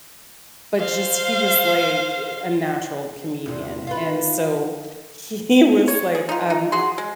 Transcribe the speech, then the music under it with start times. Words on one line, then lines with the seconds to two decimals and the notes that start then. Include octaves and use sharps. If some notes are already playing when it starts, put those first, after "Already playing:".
but just he was, like, eh, a natural comedian, and, so he was, like, um
0.79 C5 F5
3.46 E2 C3
3.87 F4 B4
5.88 C#5
6.15 G#4
6.29 D#4 F4
6.50 D#4
6.72 F#4 G#4 C6
6.98 G#3